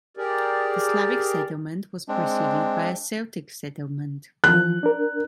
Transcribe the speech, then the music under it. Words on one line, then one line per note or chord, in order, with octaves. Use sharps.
The Slavic settlement was preceded by a Celtic settlement.
G4 G#4 A#4 D5
G#3 C4 D4
E3 F3 F#6
D4 A#4